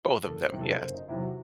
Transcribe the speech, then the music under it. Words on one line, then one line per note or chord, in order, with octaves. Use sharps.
Both of them. Yes.
F#1 A4
C5
E2 C3 D#3 F#3
A4
F#1 C5
D#4
E2 C3 D#3 F#3 E4
F#4